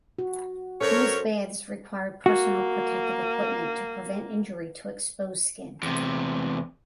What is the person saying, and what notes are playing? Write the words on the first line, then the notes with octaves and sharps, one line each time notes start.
These baths require personal protective equipment to prevent injury to exposed skin.
F#4
F#2 A4 A#4 C5 C#5
A#3 F#4
E2 C3